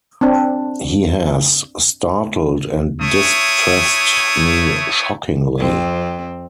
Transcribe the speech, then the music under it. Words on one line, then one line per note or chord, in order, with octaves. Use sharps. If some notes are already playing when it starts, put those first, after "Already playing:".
He has startled and distressed me shockingly!
C4 D4
A3 E4 C#5 D#6
F2 C4